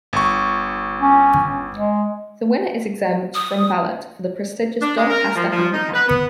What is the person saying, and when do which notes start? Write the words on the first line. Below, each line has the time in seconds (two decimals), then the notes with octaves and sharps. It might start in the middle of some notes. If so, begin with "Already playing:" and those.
The winner is exempt from ballot for the prestigious Doncaster Handicap.
0.13 G1 C#6
1.02 C#4
1.74 G#3
3.35 D#6
4.82 D4
4.98 G#3
5.10 A#4
5.35 F3
5.52 F3
5.73 D#4
5.94 B4
6.08 B3